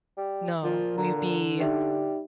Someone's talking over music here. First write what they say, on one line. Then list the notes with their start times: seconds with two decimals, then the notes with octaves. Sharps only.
No. We'd be,
0.17 G3
0.64 A#2 F3
0.98 D3 A#5
1.60 G3 D#4 G4 E5